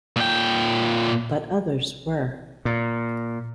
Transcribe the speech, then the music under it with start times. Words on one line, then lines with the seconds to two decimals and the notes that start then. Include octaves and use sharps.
But others were.
0.16 A#2 G5
2.65 A#2